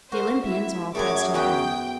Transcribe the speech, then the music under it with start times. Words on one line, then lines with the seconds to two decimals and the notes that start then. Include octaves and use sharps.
The Olympians are all past and gone.
0.12 F#4 A#4 C5
0.45 E4 E5
0.95 F#2 F#3 G3 A3 G#4 D6 G#6
1.34 E2 F#4 B4 G5